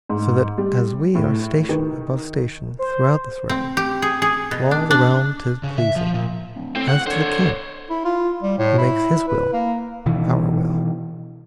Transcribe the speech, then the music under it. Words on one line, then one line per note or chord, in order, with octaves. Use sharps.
So that, as we are station above station Throughout this realm, to all the realm 'tis pleasing, As to the King, who makes his will our will.
G#2
G3
A2
D#3
C5
C4
G4
G#4
G#4
B2
D4
D4
C#3
E5
F3
A#2
D1
A2 C4
F#5
D3 C5 C#5
E4
F4
G3
A2
E4
B4
A#3
B2 D#3 E3